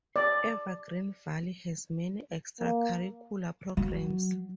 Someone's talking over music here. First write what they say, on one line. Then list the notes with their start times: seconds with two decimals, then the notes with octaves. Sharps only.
Evergreen Valley has many extracurricular programs.
0.16 D5
2.60 A#3
3.77 F#3